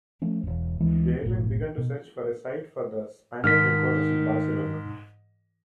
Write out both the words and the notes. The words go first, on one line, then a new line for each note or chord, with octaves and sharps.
The airline began to search for a site for the Spanair headquarters in Barcelona.
F3 A3 C#4
E1 C#2
D2 E3 G#3
F#1 B1 A2
B2
G#2 D#3 F6 B6